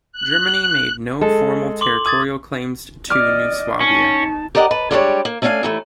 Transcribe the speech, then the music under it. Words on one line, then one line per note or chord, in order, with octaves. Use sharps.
Germany made no formal territorial claims to New Swabia.
F#6
G#3 A4
C6 D6 F#7
D6 D#6 G#6 A6
D5 D#5 D6 F6
C#4 D#4 A5
G4 A#4 D5 D#5 F#5
B4 A5
G3 G#3 D4 G4 C5 C#5
A#3
A3 C#4 D4 E5 F5 G#5
D#2 E3 A3